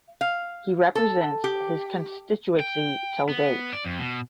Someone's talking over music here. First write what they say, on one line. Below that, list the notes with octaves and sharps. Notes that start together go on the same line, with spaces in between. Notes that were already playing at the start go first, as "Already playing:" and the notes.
He represents his Constituency till date.
F5
A4
G4
G5
B3
D5
F2
B2